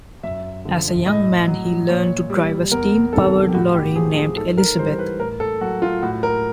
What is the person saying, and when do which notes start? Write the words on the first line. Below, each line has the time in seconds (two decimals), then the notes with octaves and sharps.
As a young man, he learned to drive a steam-powered lorry named Elizabeth.
0.23 F#2 E5
0.65 D3 F3
1.06 A2 D#5
1.47 F#3
1.88 A#2 C#5
2.30 G3
2.72 E2 A#4
3.13 C3 D#3 G3 A4
3.48 G4
3.54 A2 F#4
3.75 G4
3.96 F3 G#4
4.16 G#4
4.37 G#2 A4
4.58 A#4
4.78 E3 G3 C5
4.99 B4
5.19 A2 A#4
5.40 A4
5.61 F#3 F#4
5.82 F4
6.02 A2 F#4
6.23 A#4